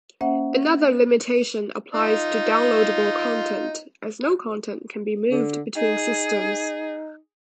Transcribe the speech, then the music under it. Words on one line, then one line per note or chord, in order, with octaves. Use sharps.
Another limitation applies to downloadable content, as no content can be moved between systems.
A#3 C#4 C5 E5 F#5
D#4 F4
D3
D#4 G#4